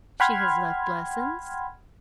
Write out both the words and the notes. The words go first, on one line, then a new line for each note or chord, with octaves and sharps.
She has left lessons.
F#5 G5 B5 C6 F6 G#6